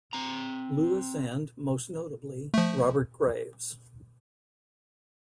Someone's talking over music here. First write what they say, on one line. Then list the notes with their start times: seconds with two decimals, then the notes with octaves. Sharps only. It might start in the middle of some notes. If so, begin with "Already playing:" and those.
Lewis and, most notably, Robert Graves.
0.13 C4 A#5
2.54 F3 A3